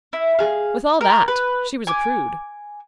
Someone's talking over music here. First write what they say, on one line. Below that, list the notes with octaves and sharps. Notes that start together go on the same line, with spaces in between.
With all that she was a prude.
E4
G#4 F5
A#4
B4
G#5 D6